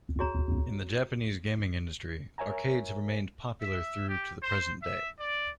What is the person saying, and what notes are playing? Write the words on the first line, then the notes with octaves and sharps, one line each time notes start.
In the Japanese gaming industry, arcades have remained popular through to the present day.
F#4 G#4 C#5 A#5
A#4 C#5 E5 G#5 A#5
E5
G4
C5
E5
D5